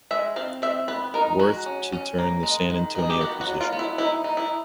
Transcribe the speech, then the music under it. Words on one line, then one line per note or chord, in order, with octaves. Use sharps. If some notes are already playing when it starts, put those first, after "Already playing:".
Worth to turn the San Antonio position.
G#3 E5
C4 F5
C4 E5
B3 B4
D#4 A#4
G#3 F#4
C#4
C#4
A#3
G#3
D#3
D#3 G#4
G4
B3 F#4
F#4
F#3
F4
B3
E4
D#4 E4
D#4
E4